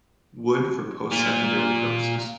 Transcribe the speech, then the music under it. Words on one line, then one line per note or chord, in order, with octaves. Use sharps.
Wood for post-secondary purposes.
A#2